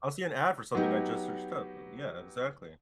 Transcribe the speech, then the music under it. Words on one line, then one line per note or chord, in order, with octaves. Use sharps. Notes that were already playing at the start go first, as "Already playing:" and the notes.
I'll see an ad for something I just searched up, yeah, exactly.
F#3 B3 D#4 G4